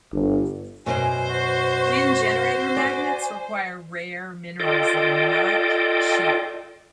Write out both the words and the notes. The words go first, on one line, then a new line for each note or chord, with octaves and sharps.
Wind generator magnets require rare minerals that are not cheap.
G1
F#2 B2 C5 G#5
F#4 C#6
D5 G#5
F4 A4 D5 D#5 G5